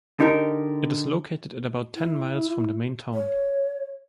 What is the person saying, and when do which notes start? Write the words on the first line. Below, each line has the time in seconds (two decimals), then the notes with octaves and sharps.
It is located at about ten miles from the main town.
0.20 D3 D#4 G4 A#4
1.96 E4
3.14 C#5